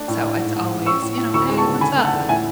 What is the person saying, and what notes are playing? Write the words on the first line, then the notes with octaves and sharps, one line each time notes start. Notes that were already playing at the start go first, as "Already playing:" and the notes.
so, it's always, you know, "Hey, what's up?"
Already playing: A3 D4
A2
A2
G#2
G#2
G#2
C#4 C#6 E6
A2
A2
D2 C#6 E6
G#3
A5 C#6
C#3
D3 G#5 B5
A3
F#5 A5
E2
A2 E5 G#5